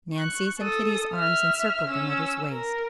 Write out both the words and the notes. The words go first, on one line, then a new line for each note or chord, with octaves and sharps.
Nancy's and Kitty's arms encircled their mother's waist.
C#6 F#6
A4 D#6
E5 F6
C#4 E6
A#4